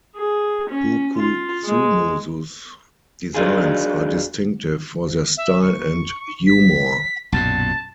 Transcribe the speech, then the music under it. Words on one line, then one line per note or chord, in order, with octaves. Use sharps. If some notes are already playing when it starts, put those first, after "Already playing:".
Kukuxumusu's designs are distinctive for their style and humour.
G#4
C#4
F4
G#3
F#3 D4 D#4 F4 G#4
E5
C#6
B6
B1 F#2 A#2 A5